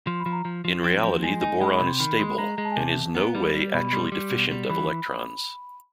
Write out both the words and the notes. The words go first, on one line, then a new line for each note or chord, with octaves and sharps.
In reality the Boron is stable, and is no way actually deficient of electrons.
F3 C6
B5
F3
A#5
F3
F3
C4
F3
G#3 G#5
D#4 G#5
G#3 B5
B5
C3
C6
D#3 B5
B5
G#3 C6
B5
G#3 A#5
G#3 A#5
A5
G#5
C3 A5
E2
B3 A#5
G3 B5
G3
B2 B5
B5
G3 C6
G3
B2
G3
E3 B5